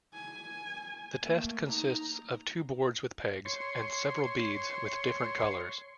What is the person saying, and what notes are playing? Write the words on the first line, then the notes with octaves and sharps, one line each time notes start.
The test consists of two boards with pegs and several beads with different colors.
G#5
A3 A#3
D#4 A#5
C#5 C6